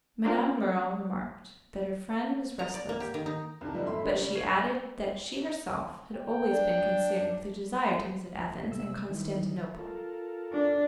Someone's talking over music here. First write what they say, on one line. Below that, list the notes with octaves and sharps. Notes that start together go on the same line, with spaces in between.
Madame Merle remarked that her friend was restless, but she added that she herself had always been consumed with the desire to visit Athens and Constantinople.
A#3 C4 D4 F4 A#4
A#5
D5
A#3
G4
D#3
D#4
C2 C3 D#3 A5
E3 F3 G3 A3 B3 D#4
G#1 A3 E5 B5 C6
C#4 D4 G4 G#4 A#4 B4
C#3 G3
C#6 G#6 C7
G5
D4
C3 E6
D#3 E3
F4 A4 A#4
D4